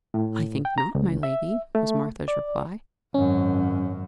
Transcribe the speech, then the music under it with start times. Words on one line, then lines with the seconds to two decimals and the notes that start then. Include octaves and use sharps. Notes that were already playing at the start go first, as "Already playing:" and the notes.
"I think not, my lady," was Martha's reply.
0.14 A2
0.65 G5
0.78 A#5
0.95 C#2
1.23 E5
1.75 A3
2.28 D5
3.14 G#1 F#2 C#4